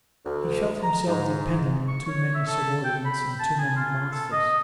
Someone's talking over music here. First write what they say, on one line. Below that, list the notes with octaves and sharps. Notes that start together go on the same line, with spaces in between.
He felt himself dependent on too many subordinates and too many masters.
D2
A#5
G#2
C#6
C#5
E5
A4
G5
B5
A5
G#5
F4
A4
D#5